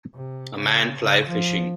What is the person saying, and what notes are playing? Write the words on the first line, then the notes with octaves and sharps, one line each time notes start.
A man fly fishing.
C3
C#3
C#3
F3